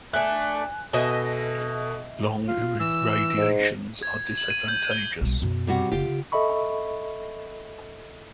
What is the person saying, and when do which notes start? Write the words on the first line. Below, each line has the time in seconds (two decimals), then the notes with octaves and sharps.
Long irradiations are disadvantageous.
0.13 A3 D4 G#5 F#6
0.93 B2 A4 D#5 E5 G#5
2.48 F4
2.80 E3 E6
3.37 G#2
4.03 G#6
4.38 F#7
4.50 D#7
4.68 G6
4.91 G7
5.21 B1 G3
5.42 F#2 B2
5.67 C3 G3 F#4
5.92 F#1 F4 G4
6.04 C#3
6.32 A4 D#5 E5 B5 C#6